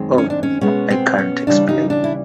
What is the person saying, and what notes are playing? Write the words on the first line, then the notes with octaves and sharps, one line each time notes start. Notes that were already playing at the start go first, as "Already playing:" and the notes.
Oh, I can't explain.
Already playing: F#2 D#3 G#3 C4
C#4
D4
C#4
B2 G#3 B3 C#4
C4
C#4
D#2 C#3 E3 G3 D4
D#4
D4
E4